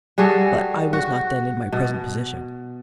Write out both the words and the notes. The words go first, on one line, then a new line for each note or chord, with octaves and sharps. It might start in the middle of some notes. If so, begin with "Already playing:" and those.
But I was not then in my present position.
G3 F#4 G#4 A4
F#4
B2